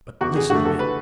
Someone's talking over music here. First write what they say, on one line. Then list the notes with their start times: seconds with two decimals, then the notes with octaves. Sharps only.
But listen to me.
0.21 E2 F#4
0.36 G#4
0.50 D3 A3 F#4
0.66 A4
0.79 B4